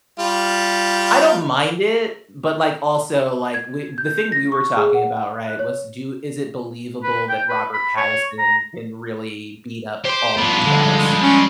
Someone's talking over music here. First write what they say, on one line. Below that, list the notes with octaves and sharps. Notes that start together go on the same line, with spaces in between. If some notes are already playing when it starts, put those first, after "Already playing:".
I don't mind it, but, like, also, like, we the thing we were talking about, right, was do is it believable that Robert Pattinson can really beat up all these guys?
G3 F4
G#6
G6
A#6
C#6
G#4
F#5
F#6
C#5
B4
G5
B4
B5
C#5
A#5
G4 C5 C6
F3 G3 B3 F4
D3 G#3
C#4